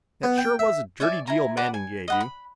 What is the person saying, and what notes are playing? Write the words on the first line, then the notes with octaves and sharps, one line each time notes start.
"That sure was a dirty deal Manning gave you."
B3
G5
E5
C#5 D5 E5 G#5
E4 G#5 A#5
B4 D5 F#5 A5
G#5
D#5 F#5 B5
B5